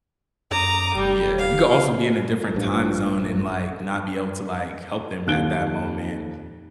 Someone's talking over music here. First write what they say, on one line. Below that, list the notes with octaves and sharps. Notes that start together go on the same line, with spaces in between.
Yeah, you could also be in a different time zone, and, like, not be able to, like, help them at that moment.
F#2 A#5 D6 D#6
F1 G3
F5
A1 G2 F3
D#1 D#2 F#6 D7 G7